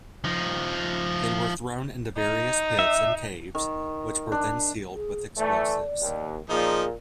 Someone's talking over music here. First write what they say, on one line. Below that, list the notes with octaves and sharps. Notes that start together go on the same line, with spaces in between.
They were thrown into various pits and caves, which were then sealed with explosives.
F3 D#4
D#4
E5
D#3
D4
G#4
E3 A3 D5
D#2
A#2 F3 D#4 G#4